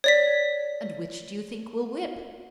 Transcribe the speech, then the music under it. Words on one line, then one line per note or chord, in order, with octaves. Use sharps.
"And which do you think will whip?"
C#5 D5 B6